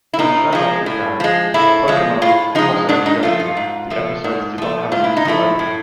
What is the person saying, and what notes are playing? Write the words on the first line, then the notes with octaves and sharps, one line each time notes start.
When shown on Shūkan Pokémon Hōsōkyoku, the episodes did not have a musical opening.
E4
A2 D#4
F3 G#3
A2
F3 G#3
A2 E4
F3 G#3
A2 F4
F3 G#3 D#4
G#2 D4
D#4
F3 A3 F4
F4
G#2
F3 A3
G#2
F3 A3
G#2 F4
E4
D#4
F3 A3 E4
A2